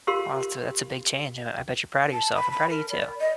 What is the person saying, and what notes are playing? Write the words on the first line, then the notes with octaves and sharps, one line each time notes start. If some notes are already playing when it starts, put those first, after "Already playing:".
Well, that's a that's a big change. I I bet you're proud of yourself. I'm proud of you too.
F4 G4 A#4 F5 C6
A5
B5
B5
A#4
D5
D#5